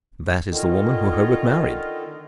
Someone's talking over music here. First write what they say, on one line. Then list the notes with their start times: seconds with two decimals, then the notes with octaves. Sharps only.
"That is the woman who Herbert married."
0.51 D3 D#3 C#4 F4 D#5